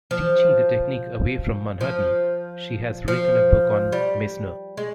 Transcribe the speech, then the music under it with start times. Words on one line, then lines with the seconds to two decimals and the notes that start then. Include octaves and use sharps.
Teaching the technique away from Manhattan, she has written a book on Meisner.
0.11 F3
1.81 F3
3.08 F3
3.92 G3
4.77 G#3